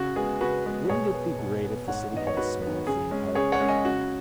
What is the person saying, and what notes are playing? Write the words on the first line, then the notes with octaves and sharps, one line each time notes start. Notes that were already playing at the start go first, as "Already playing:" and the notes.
Wouldn't it be great if the city had a small theme park?
Already playing: C#3 F#4
G#3 B3 G#4
C#3 F#4 B4
G#3 B3
B2 G#4 C#5
B3
B2
B3
G#2 C#5 F#5
D#3 B3 D#5
C#5
G#2 F#4 B4
B3
D#3
C#3 G#4
G#3 C#4
C#3 G#4 C#5
C#5 F#5
G#3 C#4
D#5 G#5
C#3 F#4